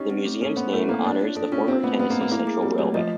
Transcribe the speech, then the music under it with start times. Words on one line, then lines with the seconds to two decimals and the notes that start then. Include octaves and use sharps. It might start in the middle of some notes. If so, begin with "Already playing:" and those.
The museum's name honors the former Tennessee Central Railway.
Already playing: C#4 D#4 G4
0.10 C4
0.25 A3
0.41 C#4 A4
0.56 B3 C5
0.73 A3 E4
0.89 A#3 C4
1.04 D4 C#5
1.21 F4
1.36 D4 A4
1.52 C#4 F4
1.67 C4 F4
1.83 A3 B3
1.99 B3 C4
2.10 A#3
2.15 A3
2.21 A#3
2.31 A#3 E4
2.47 G#4
2.62 G3 C4
2.78 F#3 A3
2.94 F3 D#5